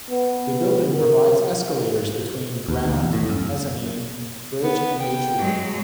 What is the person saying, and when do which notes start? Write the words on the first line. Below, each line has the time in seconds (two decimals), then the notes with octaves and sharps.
The building provides escalators between Ground, Mezzanine, Bridge, and Atrium.
0.10 B3
0.94 A#4
2.68 D#2
2.85 D2
2.96 E2
3.13 A2
3.29 F#2
4.63 B3
5.00 G5
5.38 F#3 G#3